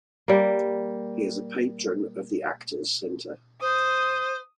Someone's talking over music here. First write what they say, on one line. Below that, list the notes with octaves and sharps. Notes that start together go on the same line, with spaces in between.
He is a patron of the Actors' Centre.
G3 A#3
C5 D#6